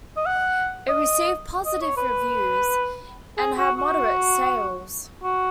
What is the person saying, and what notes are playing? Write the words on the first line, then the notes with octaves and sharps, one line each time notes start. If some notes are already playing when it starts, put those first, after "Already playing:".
It received positive reviews and had moderate sales.
D#5
F#5
D#5
D#5
C#5
B4
G#4
F#4
F#4
F#4